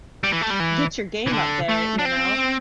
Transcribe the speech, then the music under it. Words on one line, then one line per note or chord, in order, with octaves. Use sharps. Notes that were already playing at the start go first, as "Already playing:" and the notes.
gre get your game up there, you know,"
G3
E3
A3
G3
E3
E3
D3
A3
D4
C4